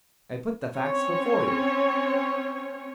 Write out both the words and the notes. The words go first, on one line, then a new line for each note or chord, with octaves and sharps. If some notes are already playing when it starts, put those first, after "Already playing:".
I put the facts before you.
C4 C#4 C#5